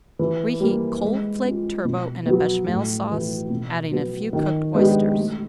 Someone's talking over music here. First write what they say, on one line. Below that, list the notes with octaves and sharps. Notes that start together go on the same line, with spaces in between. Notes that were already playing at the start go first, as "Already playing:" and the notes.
Reheat cold flaked turbot in a Bechamel Sauce, adding a few cooked oysters.
E3
G3 A#3
G#3
C#4 F4
B2
F#3 B3
A2
E3 A3
B2
F#3 B3
D#3
G#3 B3 D4 G4
A3